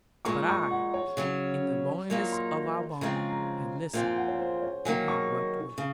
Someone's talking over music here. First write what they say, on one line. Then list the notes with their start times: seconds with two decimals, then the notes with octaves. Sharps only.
But I, in the loneliness of our barn, had listened, and had wept with him.
0.25 A#2 G#3 D#4 C#6
0.49 C#6
0.71 F#5
0.94 C#5
1.17 C#3 F#3 C#4
2.10 A#2 F#3 A#3 D#4
2.32 C6
3.01 C#3 F3 G#3 C4 A#5
3.15 G#5
3.30 A#5
3.93 A#2 F3 C4
4.05 G#5
4.17 F#5
4.28 C#5
4.39 C5
4.62 C#5
4.85 D#3 F#3 A#3 D#4 G#5
5.08 C#6
5.78 C#3